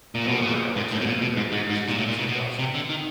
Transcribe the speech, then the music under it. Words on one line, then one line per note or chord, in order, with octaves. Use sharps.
However, Alexander met with resistance at Gaza.
A#2
B2
A#2
G#2
A2
B2
A#2
B2
G#2
G#2
G#2
A#2
A2
A#2
B2
B2
C3
D3
D#3